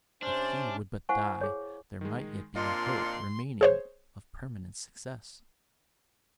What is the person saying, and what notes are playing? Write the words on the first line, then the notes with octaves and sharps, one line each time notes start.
If he would but die, there might yet be a hope remaining of permanent success!
C3 C#4 D4 C5 F6
E4 C5 F5 F#5 G#5 C#6
G#4 C#5
D#3 G#3
A#2 C4 D4 F4 D#5 C6
G#4 C5 C#5